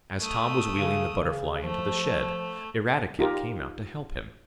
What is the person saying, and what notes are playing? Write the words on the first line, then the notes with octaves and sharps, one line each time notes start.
As Tom was wheeling the Butterfly into the shed, Eradicate came out to help him.
A3 D#6
C#3
C#3
F3 A3
D#4 F4 G4 A#4